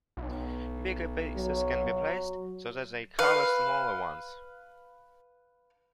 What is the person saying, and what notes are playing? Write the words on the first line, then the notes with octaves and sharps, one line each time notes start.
Bigger pieces can be placed so that they cover smaller ones.
B1
F#3
B4 F5